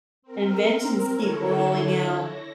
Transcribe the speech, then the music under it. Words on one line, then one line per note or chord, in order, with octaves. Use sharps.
inventions keep rolling out.
C4 A#4
D3 E4 A4 C#5
A#6